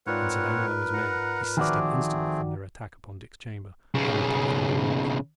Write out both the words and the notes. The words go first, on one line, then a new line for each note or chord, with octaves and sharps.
And Sir Daniel and his men, desisting instantly from their attack upon Dick's chamber, hurried to defend the walls.
G#2 C4 F4 A#4 B4 C#5 D5 F#5
F#5 A#5
A1 D#3 F3 A3 C4 F#4 G#4 D5
B1 C#3